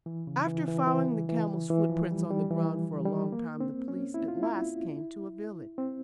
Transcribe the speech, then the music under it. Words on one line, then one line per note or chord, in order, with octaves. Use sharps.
After following the camel's footprints on the ground for a long time, the police at last came to a village.
E3
C#3
E3
E3
E3
E3
E3
F3
G3
G3
E3
G3
A#3
C4
C#4
E4
F4
E4
C4